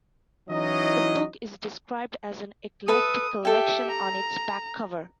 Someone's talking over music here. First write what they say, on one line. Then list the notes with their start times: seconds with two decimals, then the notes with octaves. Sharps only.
The book is described as an "eclectic collection" on its back cover.
0.49 E3 F#3 C#4 D#4 E4 D#5
2.88 A4 B4 E5 D#6
3.45 G4 A4 E5 G5
3.91 A#5